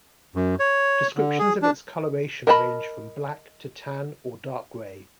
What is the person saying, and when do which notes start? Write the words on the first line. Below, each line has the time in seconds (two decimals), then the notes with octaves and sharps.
Descriptions of its coloration range from black to tan or dark grey.
0.36 F#2
0.59 C#5
1.16 D3
1.39 G#4
1.62 D4
2.47 A#4 D#5 A5 B5